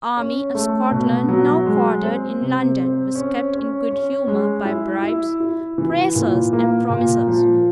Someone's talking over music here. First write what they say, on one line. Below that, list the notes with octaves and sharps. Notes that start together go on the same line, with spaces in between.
The army of Scotland, now quartered in London, was kept in good humour by bribes, praises, and promises.
C#4
A3
B2
F#3
G#3
C4
C3
C4
C#4
C#4
C#4
G#3
E4
E4
E4
E3
A#2
A#3
A#2
F3